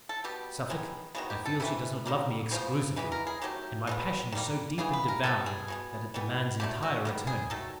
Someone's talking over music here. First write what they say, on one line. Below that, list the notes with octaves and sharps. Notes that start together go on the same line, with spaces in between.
Suffolk, I feel she does not love me exclusively; and my passion is so deep and devouring, that it demands entire return.
A4
B2 G3 B3 G4
D#3 G#3 B3
D#3 G#3 B3 F#4
G4
A4
C3 E3 A3 B4
D#3 G3 A#3
C#3 F3 G#3 B3 C5
E3 G#3 B3 B4
A#4
G#4
D#3 F#3 A3 G4
B2 G#3 B3
D#3 G3 A#3
C#3 E3 G#3 B3 G#4
B4
A#4
D#3 G3 B3 A4
G#4
B2 G#3 B3
E3 G3 B3
D3 F#3 A3 G4
F#4
D#3 G3 B3
G#4
D#3 F#3 A3 A4